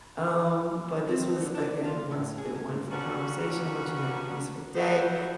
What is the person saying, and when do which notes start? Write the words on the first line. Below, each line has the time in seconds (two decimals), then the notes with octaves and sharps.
Um, but this was, again, once, a wonderful conversation. I want you to have a peaceful day,
1.09 C4
1.40 D3
1.55 D4
1.85 F4
2.11 A2
2.38 G#4
2.55 G2
2.68 G#2
2.90 A#2 G3 B3 C#4 D4 F#4
4.75 D2 E3 F#3 B3 F#4 C5